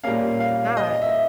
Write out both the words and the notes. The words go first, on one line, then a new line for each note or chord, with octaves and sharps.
it's not.
A#2 G3 A#3 C#4 F5
F5
D#5
E5